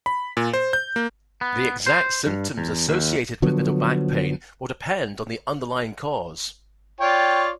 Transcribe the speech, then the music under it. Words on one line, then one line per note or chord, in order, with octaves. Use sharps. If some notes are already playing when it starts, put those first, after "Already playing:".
The exact symptoms associated with middle back pain will depend upon the underlying cause.
B5
A#2
C5
G6
A#3
B3
C5
G2
E2
D#2
D3 F3 F#3 B3
F4 C#5 D5 G5